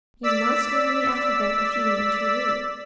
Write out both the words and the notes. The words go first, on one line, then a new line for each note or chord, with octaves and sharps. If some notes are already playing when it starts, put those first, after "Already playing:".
You must learn the alphabet if you mean to read.
D5 E6 B6